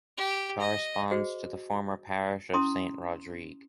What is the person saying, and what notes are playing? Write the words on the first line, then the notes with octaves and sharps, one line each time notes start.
Corresponds to the former parish of Saint-Rodrigue.
G4
D#5
F#4 G#4 C5 D#5
C#4 E4 A#5 C6 D#6